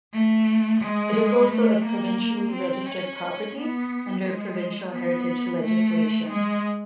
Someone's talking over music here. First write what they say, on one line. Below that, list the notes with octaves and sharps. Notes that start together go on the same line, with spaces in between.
It is also a Provincially Registered Property under provincial heritage legislation.
A3
G#3
A3
A#3
C4
C#4
B3
G#3
B3
A3
G#3